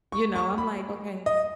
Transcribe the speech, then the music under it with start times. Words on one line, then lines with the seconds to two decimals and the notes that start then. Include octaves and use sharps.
You know, I'm like, "Okay."
0.12 C#6
0.36 C#6
0.58 B5
1.26 D#5